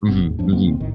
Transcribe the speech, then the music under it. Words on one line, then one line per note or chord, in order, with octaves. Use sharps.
Mhm, mhm.
F#1 B2 B3 C4
D#2 G#2
F2 F3 D4
D3 A#3 C4
D#1 B2 C4
A#1 A2 D#3